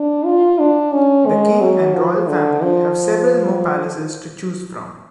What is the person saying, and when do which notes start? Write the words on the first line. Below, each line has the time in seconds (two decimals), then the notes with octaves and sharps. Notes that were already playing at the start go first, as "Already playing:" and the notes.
The king and Royal Family have several more palaces to choose from.
Already playing: D4
0.25 F4
0.59 D4
0.93 C#4
1.27 G#3
1.61 F#3
1.94 F3
2.28 D3
2.62 F3